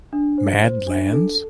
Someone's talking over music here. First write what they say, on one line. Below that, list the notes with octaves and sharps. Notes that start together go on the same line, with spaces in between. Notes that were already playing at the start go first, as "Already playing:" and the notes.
Mad Lands?
D4
C5
C5
D4
A4